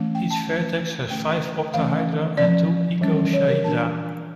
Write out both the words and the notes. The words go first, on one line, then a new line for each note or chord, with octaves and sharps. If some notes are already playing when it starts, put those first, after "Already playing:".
Each vertex has five octahedra and two icosahedra.
Already playing: E3 A3 C#4
G5
A5
E3 A3 C#4
D3 A3 C#4 G5
E3 A3 C#4 F5
F3 C#4 D5
E3 G3 C#4
C#5
A#4
E3 A#3 D4 A5